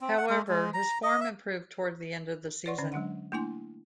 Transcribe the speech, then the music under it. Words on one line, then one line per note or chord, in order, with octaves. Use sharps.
However, his form improved toward the end of the season.
C4
F#5
G#3
G#3
A#5
D#5
E5
B4 C#5 D5 F#5 C6 C#6
D3 C#4 D5
F#3 G#3 D4 F#5
A3 A#3 D4 E4 G#5 C6